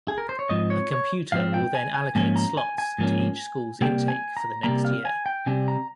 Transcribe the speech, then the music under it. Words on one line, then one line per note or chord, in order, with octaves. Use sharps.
A computer will then allocate slots to each school's intake for the next year.
G#4
A#4
C5
C#5
G#2 F3 C4 D#5
C#5
C#5
G#2 F3 C4 F5
G5
G#5
G#5
G#2 F3 A#3 C#4 G#5
A#5
G#5
G#5
G#2 F3 A#3 C#4
C3 G3 A#3 G5
G#5
A#5
C3 G3 A#3 A#5
F5
G#5
G5
C3 G3 C4 G#5
A#5